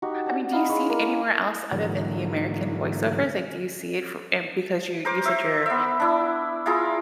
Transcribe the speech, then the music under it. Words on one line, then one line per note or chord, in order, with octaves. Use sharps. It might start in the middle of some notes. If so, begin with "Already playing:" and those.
I mean, do you see it anywhere else other than the American voiceovers? Like, do you see it for and because you you said you're
D#4 F#4 G4
D4 F#5 A5
D#4 E4 F5
G#3 C#5 B5 E6
A#3
C#4
G#2 D3 E3 F#3 A#3
A#4 C5 D6
C5 E5
B3 E5
D4 E4
E4 F4 G#4 A#4